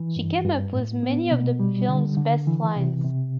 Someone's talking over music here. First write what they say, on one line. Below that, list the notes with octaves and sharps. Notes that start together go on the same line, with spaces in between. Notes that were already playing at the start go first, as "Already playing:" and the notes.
She came up with many of the film's best lines.
Already playing: E3
G2
G2
A2
B3
B2
G3
D3
D3
E3
C3
C3